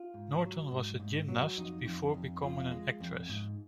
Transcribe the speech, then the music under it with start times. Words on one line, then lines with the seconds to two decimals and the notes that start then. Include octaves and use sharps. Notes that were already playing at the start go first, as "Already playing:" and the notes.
Norton was a gymnast before becoming an actress.
Already playing: F4
0.14 G#2
0.42 F#3
0.71 G#2
1.00 G#2
1.28 F#3
1.57 F2 D#4
1.85 F2
2.14 F2
2.43 F2 F4
2.71 G#3
3.00 F2
3.29 G#2